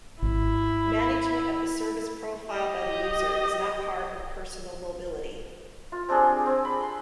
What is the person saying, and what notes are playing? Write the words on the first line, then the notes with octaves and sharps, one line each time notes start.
Management of the service profile by the user is not part of personal mobility.
G#1 E4
G4 D#5
F4
C4 D4 G4 G#4
C4
B5
C6